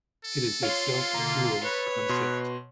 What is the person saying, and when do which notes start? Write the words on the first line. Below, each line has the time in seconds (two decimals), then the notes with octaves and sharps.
It is a self-dual concept.
0.24 A4
0.63 F4 C#5 F5 C6
1.14 B2 D3 A#3 A#5
1.63 B4 C#5
2.09 B2 C6